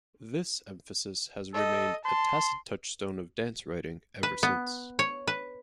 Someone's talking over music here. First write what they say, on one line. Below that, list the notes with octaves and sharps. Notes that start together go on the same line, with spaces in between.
This emphasis has remained a tacit touchstone of dance writing ever since.
A4 D#5
A5 C6
B4
B3
C#5
B4